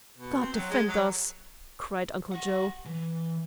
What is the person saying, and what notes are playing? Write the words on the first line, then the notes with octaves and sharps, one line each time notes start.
"God defend us!" cried Uncle Joe.
B2
C4
F#3
G#3
F#3
G4 F#5
E3